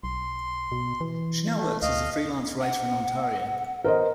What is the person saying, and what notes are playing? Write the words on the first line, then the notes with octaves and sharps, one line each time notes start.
She now works as a freelance writer in Ontario.
B1 C6
B2
E3
A3
D2 D#5 F5
F#5
A#4 C5 D#5